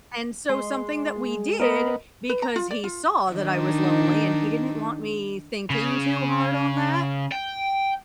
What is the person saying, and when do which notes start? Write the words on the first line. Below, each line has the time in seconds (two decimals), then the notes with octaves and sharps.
and so something that we did because he saw that I was lonely and he didn't want me thinking too hard on that,
0.49 G#3 C6
1.60 B3 A#4 D#5 B5
2.29 B4
2.42 A#5
2.56 F4
2.71 D5
2.84 F4
3.32 D#3 D4 D#4
5.70 C#3
7.32 G5